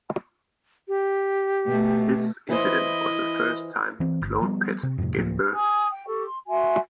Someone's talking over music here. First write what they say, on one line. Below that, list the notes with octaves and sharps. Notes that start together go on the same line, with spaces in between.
This incident was the first time a cloned pet gave birth.
G4
B2 A3
E3 E4 C5 D#5
E3 C4
G1
F3 G3 A3 B3
C3
F2 A2 C3
D1 A2 F3 A#3
G#5 D#6
G5
G4 A4 C#6
C6
F#4 E5 G#5 C6